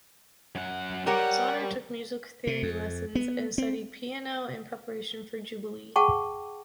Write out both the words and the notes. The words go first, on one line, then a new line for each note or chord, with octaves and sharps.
Zauner took music theory lessons and studied piano in preparation for "Jubilee".
F#2 F#5
G3 G4 A#4 C#5 F#5
C3
F2
B3
C4
G#4 F#5 G5 A5 C#6